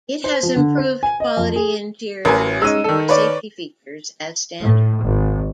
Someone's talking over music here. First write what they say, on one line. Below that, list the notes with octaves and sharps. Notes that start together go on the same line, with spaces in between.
It has improved quality interior with more safety features as standard.
C5
F3
D3
C5
G#5
D#5
F2
G#4
A1 A#4 B4 G#5
G#3 C#4 D#4 E6 D#7
D#3 A4
B4 C#5 D5
A2
G#1